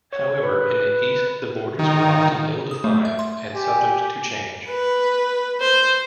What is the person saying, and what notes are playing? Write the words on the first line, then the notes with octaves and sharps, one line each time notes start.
However, in the east the borders were often ill-defined and subject to change.
C#5
B4
D#3
D#6
A3
E5
C6
G4 G#5
B4
C5